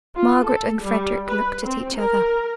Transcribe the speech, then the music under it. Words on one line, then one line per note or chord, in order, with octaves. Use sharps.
Margaret and Frederick looked at each other.
F4
A4
G3
B4
C4
A#4